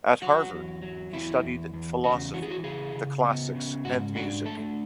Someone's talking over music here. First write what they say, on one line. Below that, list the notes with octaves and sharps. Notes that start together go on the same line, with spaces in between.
At Harvard, he studied philosophy, the classics, and music.
F#3 F#4
E2
F#3
E2 E4
E2
E2
C#3 F#4
E3 F#4
G#4
F#4
C#3 G#4
C#3
B3
C#3
G#2 F#4
D4 F#4
A3 A4